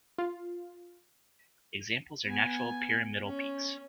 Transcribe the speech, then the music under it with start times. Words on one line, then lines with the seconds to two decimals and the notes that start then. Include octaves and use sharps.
Examples are natural pyramidal peaks.
0.18 F4
2.25 B3 G#5
3.26 C#4